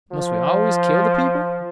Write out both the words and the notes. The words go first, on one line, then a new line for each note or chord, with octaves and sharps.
"Must we always kill the people?"
F3